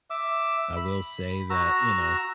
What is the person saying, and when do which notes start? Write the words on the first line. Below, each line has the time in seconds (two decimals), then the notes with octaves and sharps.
I will say that, you know
0.10 E5 D6 E6
0.77 B5
1.50 F#4 A#5 E6